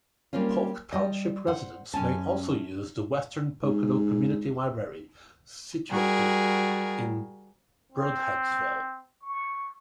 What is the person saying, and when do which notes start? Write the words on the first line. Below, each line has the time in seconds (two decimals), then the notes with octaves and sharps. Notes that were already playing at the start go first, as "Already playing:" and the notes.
Polk Township residents may also use the Western Pocono Community Library situated in Brodheadsville.
0.33 G3 A#3 C4 C#4 F4
0.92 G3 D#5
1.47 C5 F#5
1.94 F#2 C#4 G#5 A5
3.63 G#2
5.90 G3 F#4 G#4 A#4
7.92 C4
9.22 C#6